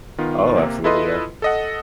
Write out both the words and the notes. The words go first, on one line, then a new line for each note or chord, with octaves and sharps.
Oh, absolutely, yeah.
D#3 B3 F4
C3 A#3
E4 F4 A4 B4 D#5 C6
A4 D#5 F#5